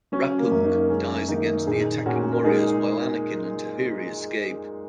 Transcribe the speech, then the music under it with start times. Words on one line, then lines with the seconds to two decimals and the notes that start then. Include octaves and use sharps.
Rapuung dies against the attacking warriors while Anakin and Tahiri escape.
0.12 F#3 C#4
0.38 A#3
0.51 F#2
0.64 A#3 D#4
0.90 G#3 C#4
1.28 D#3 A#3 D#4
1.67 A#2 D#4 G#4
2.06 A#2 C#4 F#4
2.32 A#4
2.44 G#3 D#4 G#4